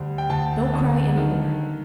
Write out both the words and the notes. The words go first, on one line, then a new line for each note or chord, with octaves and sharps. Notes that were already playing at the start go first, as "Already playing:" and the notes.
Don't cry any more.
Already playing: D2 G3
G5
D2 A5
D3
D#3